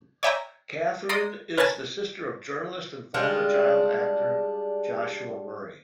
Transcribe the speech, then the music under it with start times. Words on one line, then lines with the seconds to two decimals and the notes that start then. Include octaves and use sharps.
Katharine is the sister of journalist and former child actor Joshua Murray.
0.23 C#5 D5 E5 G5 G#5 A#5
1.09 D5 A#5 C6 D#6
1.57 A#4 B4 C#5 G#5 A5
3.14 G3 G#3 D4 F4